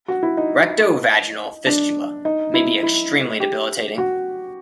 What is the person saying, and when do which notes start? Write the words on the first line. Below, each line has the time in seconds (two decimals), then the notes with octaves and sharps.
Rectovaginal fistula may be extremely debilitating.
0.08 F#4
0.23 E4
0.37 D#4
1.67 D4
2.25 D#4
2.54 E4
2.83 E4
3.40 G4
3.98 F#4